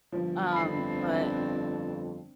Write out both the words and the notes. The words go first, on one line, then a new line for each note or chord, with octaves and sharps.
um, but
G1 F3
F2 C4 D4 B5 C7